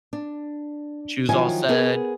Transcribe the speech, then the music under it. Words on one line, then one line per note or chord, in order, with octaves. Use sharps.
she was all sad,
D4
D#3 F3 F#3 E4 G#5
B3 G#4 A#4